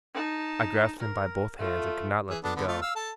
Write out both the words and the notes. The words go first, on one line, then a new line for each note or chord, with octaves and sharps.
I grasped him by both hands, and could not let them go.
D#4 A5
A#4
A3 F4
E3 G#4
B3 D4 A4
D3 B3
A3 F4
F5 E6
A4 A5